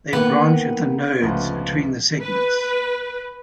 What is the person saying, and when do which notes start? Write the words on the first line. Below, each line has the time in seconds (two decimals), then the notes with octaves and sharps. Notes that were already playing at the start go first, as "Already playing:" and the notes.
They branch at the nodes between the segments.
0.13 D#3 A#3 B3
1.22 G1 C#2 A2 F3 F#5
2.20 B4